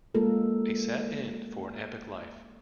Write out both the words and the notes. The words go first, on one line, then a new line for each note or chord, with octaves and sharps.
A sad end for an epic life.
G#3 A#3 F4 A4 A#4